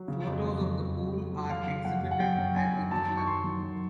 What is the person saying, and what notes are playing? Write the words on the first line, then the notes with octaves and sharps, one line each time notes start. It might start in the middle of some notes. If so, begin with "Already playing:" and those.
Photos of the pool are exhibited at the hostel.
Already playing: F#3
C#3
F2
F#3
F#3
F2
F2
F2
F#3
F#3 F5
C#3
F#2 F#5
F#2
F#5
F#2 G5
F#2
F#2 G#5
F#2
F#3 A5
D#3
C#6
D#3 C6
F#3
F#2